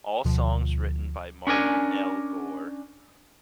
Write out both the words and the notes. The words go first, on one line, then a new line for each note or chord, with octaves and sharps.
All songs written by Martin L. Gore.
D2 B2 F3
C#4 D4 A#4 G#5